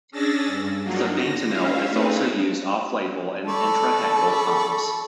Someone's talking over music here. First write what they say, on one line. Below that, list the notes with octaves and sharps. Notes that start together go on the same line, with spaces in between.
Sufentanil is also used off-label in intrathecal pumps.
C#4 D4 G#4 E6 A6 A#6
G2
F#3 A#3 D4 D#4 F4 F#4
A#6
C#4 F4 E5 F5
A3 C4 D#4 G#4 B4
A4 D5 B5 C#6